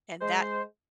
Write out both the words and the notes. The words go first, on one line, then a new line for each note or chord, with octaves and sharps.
And that
G#3 C5